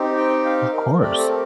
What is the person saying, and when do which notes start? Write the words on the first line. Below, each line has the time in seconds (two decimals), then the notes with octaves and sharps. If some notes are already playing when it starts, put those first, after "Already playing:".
Of course.
Already playing: C4 D#4 G4
0.17 G5
0.45 F5
0.73 A#4
1.01 A3 C4 G4 D5
1.19 A4
1.29 A#4